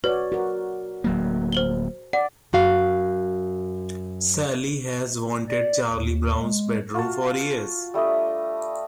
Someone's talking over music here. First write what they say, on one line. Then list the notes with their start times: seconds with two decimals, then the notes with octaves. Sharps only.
Sally has wanted Charlie Brown's bedroom for years.
0.04 F#4 B4 C#5 D5
0.32 F#4 A#4
1.04 D1 F#3 A#3
1.52 C5 F#7 G7
2.13 D5 F#5
2.53 F#2 F#4 F5
5.49 D5
5.91 D#2
6.40 G#3
6.94 F4 F#4 A5
7.94 G3 A3 D4 D#5